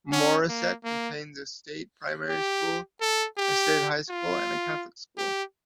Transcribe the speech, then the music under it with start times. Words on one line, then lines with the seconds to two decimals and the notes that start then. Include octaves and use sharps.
Morisset contains a state primary school, a state high school and a Catholic school.
0.12 C#4
0.48 A#3
0.84 A#3
2.29 G4
3.01 A4
3.37 G4
4.09 F4
5.18 G4